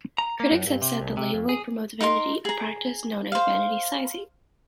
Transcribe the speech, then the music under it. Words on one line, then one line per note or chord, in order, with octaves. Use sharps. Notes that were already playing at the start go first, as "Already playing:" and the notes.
Critics have said the labeling promotes vanity, a practice known as vanity sizing.
A#5
A#3
F#2
G2
C3
C2
C3
F2
G#4
D#4 A#4 G5 C6
G#4 A#5
C5 F5